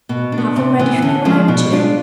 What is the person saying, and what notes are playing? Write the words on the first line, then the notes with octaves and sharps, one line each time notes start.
Have them ready for me when I return.
B2
D4
B3
C3
E3 B3
D3
F3 G#3
B2
G#3 D4 F4